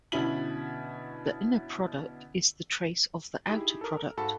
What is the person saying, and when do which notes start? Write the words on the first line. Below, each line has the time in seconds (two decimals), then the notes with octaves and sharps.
The inner product is the trace of the outer product.
0.12 B2 D3 C#4 E4 F#7
3.48 D#4 E4 G4 G#4
3.81 A4 A#4
4.17 G#2 F#4 A4 F5 A5 B5